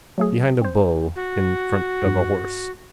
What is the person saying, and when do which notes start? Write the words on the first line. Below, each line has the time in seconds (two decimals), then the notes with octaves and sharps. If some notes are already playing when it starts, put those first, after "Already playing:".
Behind a bull: in front of a horse.
0.18 F#3 A3 G#4
0.61 C4 C5
1.16 F#4
2.06 G2